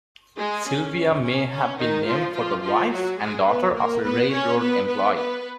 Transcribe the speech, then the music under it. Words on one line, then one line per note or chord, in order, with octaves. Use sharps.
Sylvia may have been named for the wife and daughter of a railroad employee.
G#3 G#4
C#4
C#4
C#4
D#3 D#4
F3 F4
F3 F4
F3 F4
F#3 F#4
G#3 G#4
B3 B4
A#3 A#4
B3 B4
C#4 C#5
B3 B4
B3 B4
B3 B4